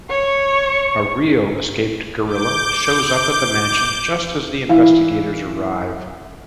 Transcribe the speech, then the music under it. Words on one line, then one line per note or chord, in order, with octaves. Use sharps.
A real escaped gorilla shows up at the mansion just as the investigators arrive.
C#5 C#6
D6 G6
E3 E4 F5